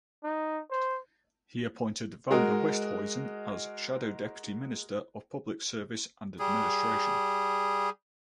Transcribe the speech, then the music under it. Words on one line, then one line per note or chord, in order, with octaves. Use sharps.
He appointed Van der Westhuizen as Shadow Deputy Minister of Public Service and Administration.
D#4
C5
G#3 F#4 A#4 D#5
G3 G#4